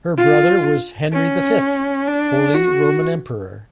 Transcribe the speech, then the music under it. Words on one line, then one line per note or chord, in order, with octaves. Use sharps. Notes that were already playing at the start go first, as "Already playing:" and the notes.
Her brother was Henry the Fifth, Holy Roman Emperor.
F4
C#4
D4
F#4